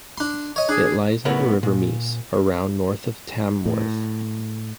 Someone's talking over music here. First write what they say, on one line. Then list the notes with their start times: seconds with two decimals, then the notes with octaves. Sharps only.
It lies on the River Mease, around north of Tamworth.
0.18 D4 C6
0.56 C#5 D#5
0.69 D4 G#4
1.25 B1 A2 B3 A#4 C#5 F#5
1.63 A#2
3.66 A2